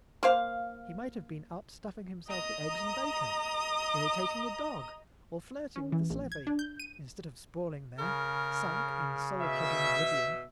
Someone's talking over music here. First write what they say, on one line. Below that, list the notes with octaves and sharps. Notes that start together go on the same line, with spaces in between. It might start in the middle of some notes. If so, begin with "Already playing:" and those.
He might have been up stuffing himself with eggs and bacon, irritating the dog, or flirting with the slavey, instead of sprawling there, sunk in soul-clogging oblivion.
A#3 C5 F5
D#5 A#5 D#6
C#4
E3
A#1
G#6
D4
G6
D#7
C#3 A#4
B2 E5